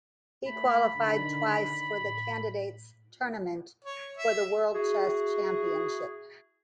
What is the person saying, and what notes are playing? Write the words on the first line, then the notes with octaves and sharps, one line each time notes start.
He qualified twice for the Candidates Tournament for the World Chess Championship.
A3 B5
D3 D#3
A2
C#5
E5
E4 F#4 G#4